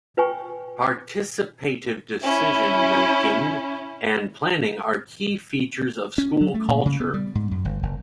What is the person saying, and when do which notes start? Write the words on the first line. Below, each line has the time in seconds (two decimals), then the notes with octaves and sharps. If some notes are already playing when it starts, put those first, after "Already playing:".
Participative decision making and planning are key features of school culture.
0.17 F4 B4 G5 G#5 C#6
2.22 C#4 E4
6.18 C#4
6.41 F#3
6.54 A3
6.68 A#2
6.86 C#3
7.00 B3
7.14 G3
7.35 G#2
7.51 F#2
7.65 G1
7.83 F#1